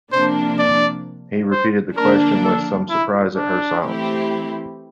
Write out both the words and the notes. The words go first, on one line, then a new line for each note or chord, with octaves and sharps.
He repeated the question, with some surprise at her silence.
C3 F3 A#3 D4 C5
D5
C5
D3 F3 A#3 D4 A#4
A4
E4
D4
E3 A3 C4 E4 G4